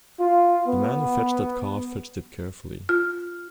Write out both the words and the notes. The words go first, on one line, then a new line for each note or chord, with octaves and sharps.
The man who fetched that car fetched it carefully.
F4
B3
F4